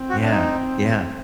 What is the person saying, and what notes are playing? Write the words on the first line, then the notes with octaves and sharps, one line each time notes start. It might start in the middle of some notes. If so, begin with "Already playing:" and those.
Yeah, yeah.
Already playing: C4
F#4
D4
D#4